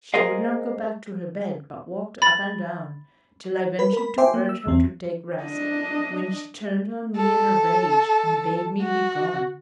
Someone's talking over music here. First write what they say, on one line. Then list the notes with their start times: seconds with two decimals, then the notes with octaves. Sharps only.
She would not go back to her bed, but walked up and down, till I ventured to urge her to take rest, when she turned on me in a rage and bade me be gone.
0.14 G#4 A#4 C5 D#5 F5
2.22 B5 A6
3.79 B4 B5
3.93 A#4 B5
4.18 C5 E5 G5 G#5 C6 D6
4.34 A#3
4.49 E6
4.66 G1 E2 C4
5.43 D4 D#5
7.17 A4
8.82 F#4